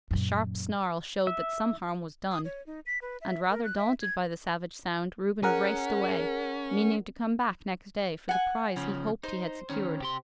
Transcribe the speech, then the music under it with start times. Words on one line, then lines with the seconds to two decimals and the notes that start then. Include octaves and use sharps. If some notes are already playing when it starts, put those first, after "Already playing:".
A sharp snarl showed that some harm was done, and, rather daunted by the savage sound, Reuben raced away, meaning to come back next day for the prize he hoped he had secured.
0.11 F#2 A#2
1.27 E5
2.31 D#6
2.45 C#5
2.67 D#4
2.86 B6
3.02 B4
3.21 E5
3.50 A#4
3.64 F#6
3.77 E5
4.02 G#6
5.43 C#4 G#4 A#4 F#5
8.29 F#5 G#5
8.76 C#3 F3 C#4
9.23 D#4 C5
9.70 D#3 C#4
10.00 C3 G4 C6